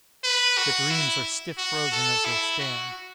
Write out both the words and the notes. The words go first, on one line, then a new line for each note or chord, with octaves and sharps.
The dreams are stiff-frozen as they stand.
B4
F#4
E4
F#4
A4
E4
F#4